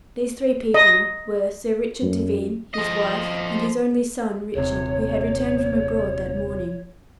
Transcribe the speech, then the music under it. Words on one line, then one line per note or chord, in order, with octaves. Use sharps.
These three people were Sir Richard Devine, his wife, and his only son Richard, who had returned from abroad that morning.
D#5
F#2
F3 D#5
D#1 C3 C#5